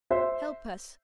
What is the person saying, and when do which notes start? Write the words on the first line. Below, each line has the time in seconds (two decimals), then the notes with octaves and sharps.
Help us.
0.11 C5 E5